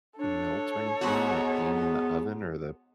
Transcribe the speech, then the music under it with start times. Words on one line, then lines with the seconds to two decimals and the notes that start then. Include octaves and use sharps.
melt or anything, like, being in the oven or the
0.19 D4 A4 C#5
1.01 G#2 B3 F#4